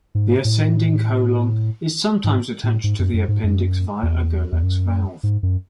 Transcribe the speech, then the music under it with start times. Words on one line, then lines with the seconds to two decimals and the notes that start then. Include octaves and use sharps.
The ascending colon is sometimes attached to the appendix via Gerlach's valve.
0.15 G#2
0.45 A2
2.24 G#2
2.64 A2
2.84 G#2
2.99 F#2
3.14 F#2
3.28 G#2
3.43 F#2
4.03 E2
4.52 E2
4.63 F#2
5.23 G#2
5.43 F#2